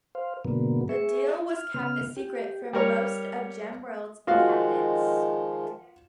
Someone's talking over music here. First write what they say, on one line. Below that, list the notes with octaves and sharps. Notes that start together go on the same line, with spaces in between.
This deal was kept a secret from most of Gemworld's inhabitants.
C5 F5
G#2 B2 D3 F#3 A#3 B3
G#4 E5 C#6
F6
C#3 B3 F6
G4
G3 A#4 C#5
D#3 F3 G#3 F4 F#4 F5